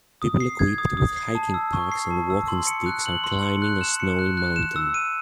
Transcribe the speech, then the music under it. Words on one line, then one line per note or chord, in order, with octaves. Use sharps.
People equipped with hiking packs and walking sticks are climbing a snowy mountain.
D#6
C7
G#6
D#6
D#6
C7
A5
E6
C#6
C7
A5
E6
C6
C#7
F#6
F#7
C6
C#7
F#6
E7
C#7
F#6
F#6
E7
E6
D#7